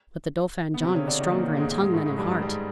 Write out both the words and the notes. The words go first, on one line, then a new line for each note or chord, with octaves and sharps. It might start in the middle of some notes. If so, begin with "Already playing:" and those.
But the Dauphin John was stronger in tongue than in heart.
B3
C3 C4
C#3 C#4
D3 D4
D#3 D#4
A#2 A#3
G#2 G#3
G#2 G#3
A2 A3
G#2 G#3
G2 G3
G#2 G#3
G3
G#3